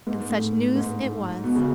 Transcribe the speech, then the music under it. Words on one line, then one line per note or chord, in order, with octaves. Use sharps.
And such news it was!
G#2
A2
G#2
B2
C#3